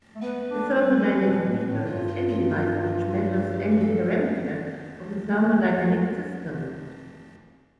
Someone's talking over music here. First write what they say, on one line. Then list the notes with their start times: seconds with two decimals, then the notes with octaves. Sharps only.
A thermodynamic meter is any device which measures any parameter of a thermodynamic system.
0.15 A3
0.22 B3 B4
0.49 D4
0.77 G3
1.25 B2
1.46 A2
1.66 A2
1.87 G2 F4
2.07 F4
2.28 F4
2.49 F4
3.52 G4
3.70 B4
3.79 A4